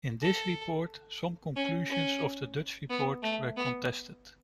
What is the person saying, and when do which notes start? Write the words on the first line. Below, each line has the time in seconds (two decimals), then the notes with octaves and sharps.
In this report some conclusions of the Dutch report were contested.
0.23 A4
1.56 C#4
1.90 C#4
2.90 B3
3.23 A3
3.57 B3